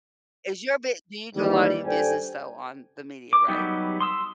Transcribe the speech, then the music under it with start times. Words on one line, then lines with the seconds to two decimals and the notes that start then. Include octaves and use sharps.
Is your bi do you do a lot of your business though on the media, right?
1.35 D#2 G#2 E3 G3
1.85 G2 D4 A4 C5 G5 G#5
3.33 D6
3.48 F#3 G3 B3 D#4 G4
4.00 C6 D#6 E6